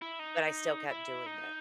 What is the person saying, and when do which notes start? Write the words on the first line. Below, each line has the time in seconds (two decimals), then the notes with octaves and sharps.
But I still kept doing it.
0.02 E4
0.19 D#4
0.91 E4
1.26 D#4